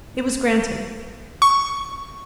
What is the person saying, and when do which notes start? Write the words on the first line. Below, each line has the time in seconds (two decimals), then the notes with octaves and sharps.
It was granted.
1.42 C#6